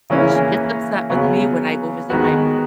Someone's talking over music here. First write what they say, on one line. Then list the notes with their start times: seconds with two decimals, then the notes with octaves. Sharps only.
and she gets upset with me when I go visit my
0.10 C#3 E3 A#3 C#4 E4
1.10 C#3 F#3 B3
2.10 D#3 G#3 B3 F#4